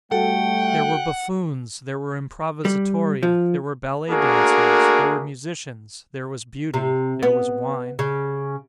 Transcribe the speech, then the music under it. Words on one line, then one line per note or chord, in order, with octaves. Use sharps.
There were buffoons, there were improvisatori, there were ballet-dancers, there were musicians, there was Beauty, there was wine.
G3 A3 F#4 A4 F#5 G5
G3
F3
A3 A#3 D4 F#4 G#4 A#4
C3
B3
C#3